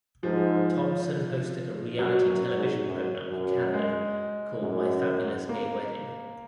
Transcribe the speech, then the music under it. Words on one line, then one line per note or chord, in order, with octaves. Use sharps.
Thompson hosted a reality television program in Canada called "My Fabulous Gay Wedding".
G#2 F3
F#2 F#3
F#2
G#2
F#2
F#2
G#3
F#2
A#3